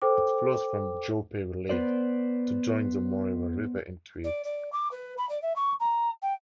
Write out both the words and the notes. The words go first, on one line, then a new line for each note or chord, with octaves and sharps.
It flows from Joeperry Lake to join the Moira River in Tweed.
A4 C5 G5 D6
B3 B4 C5 D5
D5
D5
D6
B4
B5
D5
E5
C#6
A#5
G5